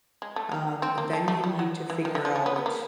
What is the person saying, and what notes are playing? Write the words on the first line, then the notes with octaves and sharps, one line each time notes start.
um, then you need to figure out
G#3
A3
A#3
C4
A#3
A3
A3
G3
F#3
E3
D#3
E3
F3
F3
B3
B3
A#3